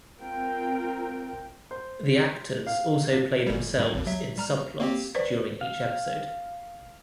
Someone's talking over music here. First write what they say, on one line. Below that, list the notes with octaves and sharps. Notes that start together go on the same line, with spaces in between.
The actors also play themselves in subplots during each episode.
C4 F4 A#4 G5
C5
F5
A6
G1 G3
A2 G3
G#1 D#2
F#3 E5 B6
G3 A#5 F6
A#3 C4 G4
B4 C5 D5
F5